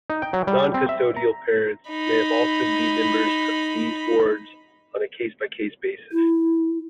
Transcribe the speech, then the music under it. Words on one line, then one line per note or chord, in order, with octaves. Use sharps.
Non-custodial parents may also be members of these wards on a case-by-case basis.
D#4
G5
F#3
G3
C4
E5
A#5
D#4 B5
E4